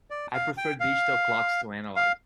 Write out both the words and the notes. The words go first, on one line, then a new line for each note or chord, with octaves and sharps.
I prefer digital clocks to analog.
D5
F5
G5
F5
F5